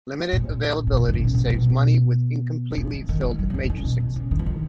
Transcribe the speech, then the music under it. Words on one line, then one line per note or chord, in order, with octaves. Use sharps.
Limited availability saves money with incompletely filled matrixes.
A#2
A#2
B2
D#3
C#3
A#2
B2
A#2
B2
D#3
C#3
D#3
D#3
D#3
F#3
C#3
D#3
D#3
C#3
B2
B2
C#3
D#3
F3
D#3